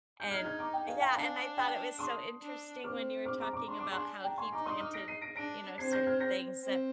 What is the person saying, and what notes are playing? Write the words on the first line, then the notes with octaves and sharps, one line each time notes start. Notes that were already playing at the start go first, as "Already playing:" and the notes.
and yeah, and I thought it was so interesting when you were talking about how he planted, you know, certain things that
G6
D#4 F6 G#6
F6 G#6
A#5 D6
G5
F5 G#5
G5 A#5
D4 F5 G#5
G5
C6 D#6
D4
C4 D6 F6
D6 F6
A#5 D6
A#5 D6
D4 C6
D6
G#5 C6
G5 A#5
G#5 C6
D#4 A#5 D6
C6 D#6
D6 F6
A#6 D7
C7 D#7
A#6 D7
D4 A#6 D7
C4 G#6 C7
G6 A#6
F6 G#6
G6 A#6
C4